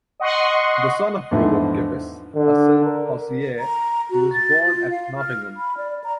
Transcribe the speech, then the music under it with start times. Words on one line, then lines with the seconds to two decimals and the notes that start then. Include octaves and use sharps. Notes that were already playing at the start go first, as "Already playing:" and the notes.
The son of Robert Kippis, a silk-hosier, he was born at Nottingham.
0.20 D#5 F#5 C6 C#6
1.31 E2 G#2 D3 F3 E4
2.36 D3
2.85 A#4
3.59 A#5
4.11 F#4
4.33 A6
4.65 F4
4.90 F5
5.18 F6
5.57 B5
5.77 D5
6.04 A#5